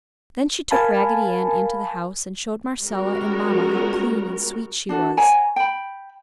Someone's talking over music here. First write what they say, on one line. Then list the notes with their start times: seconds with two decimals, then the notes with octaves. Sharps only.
Then she took Raggedy Ann into the house and showed Marcella and Mamma how clean and sweet she was.
0.71 A#4 F5 G#5 A5 B5
2.84 G3 G#3 B3 C#4 F#4 A#4
4.89 D4 F#4 A4
5.17 C#5 F#5 G#5 A#5
5.56 G5 B5